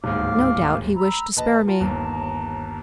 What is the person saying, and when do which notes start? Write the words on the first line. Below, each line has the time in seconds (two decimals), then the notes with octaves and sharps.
"No doubt he wished to spare me."
0.04 D1 D#2 G#2 F5 D6 F6
0.96 A#5 B5 E6
1.36 A#1 B4 D#5 A5
1.68 F4 A5 A#5
1.81 G1 D#2